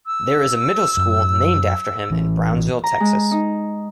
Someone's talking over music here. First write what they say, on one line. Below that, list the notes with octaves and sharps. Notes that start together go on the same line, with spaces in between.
There is a middle school named after him in Brownsville, Texas.
E6
F#2
A1 E3
A#5
G#3
D#4